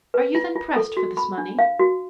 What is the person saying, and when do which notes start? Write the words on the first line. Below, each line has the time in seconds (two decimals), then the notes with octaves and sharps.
"Are you then pressed for this money?"
0.14 B4
0.35 F4
0.55 F4
0.76 A4
0.97 F#4
1.17 B5
1.38 D4
1.59 F5
1.79 F#4